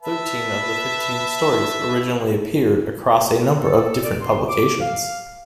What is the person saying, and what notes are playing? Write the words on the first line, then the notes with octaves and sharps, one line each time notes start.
Thirteen of the fifteen stories originally appeared across a number of different publications.
B4 E5 A5
C3
C4
A4
A4
D5
C6
D6
F5